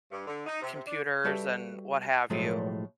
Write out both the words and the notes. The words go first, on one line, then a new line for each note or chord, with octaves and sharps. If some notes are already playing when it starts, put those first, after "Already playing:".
computers and what have you,
G2
D3
D#4
C3
C3
D4
G3 F#4 G4 A4 B4 E5
B1 A2 F3 F#3 G#3 A3